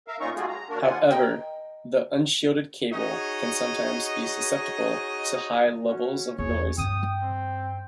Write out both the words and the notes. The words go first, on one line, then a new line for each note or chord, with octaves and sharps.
However, the unshielded cable can sometimes be susceptible to high levels of noise.
A#4 E5 F5
A#2 C#4 D#4 F4 A#5 C#6
G3 A3 F4 F#4 G#4
A#5
D#2 A#3 D4 F#4 A#4
D#2 F3 F4 F#5 G#5
A#4 D#5 G5
D#4 F#4 G#4 C#5 D#5
C#4 F#4
E2 G#4 C#5
G2 C#4 G5 D#6
C4